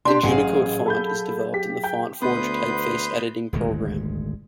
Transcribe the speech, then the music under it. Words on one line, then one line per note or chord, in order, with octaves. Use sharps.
The Junicode font is developed in the FontForge typeface editing program.
D4 G4 C6
A1 F#3 G#4 F5
A4 B5 G6
G4 B6
G5 G6
D2 B3 B4 C6 D#6 G6
D#1 G#1 D2 G#3